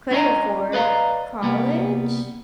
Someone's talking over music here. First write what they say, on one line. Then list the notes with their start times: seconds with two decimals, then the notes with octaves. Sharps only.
couldn't afford college,
0.11 C#4 E4 F4 D#5 G#5 A#5
0.73 B4 D5 D#5 F5 G#5 A#5
1.42 C2 G3 A#3 B3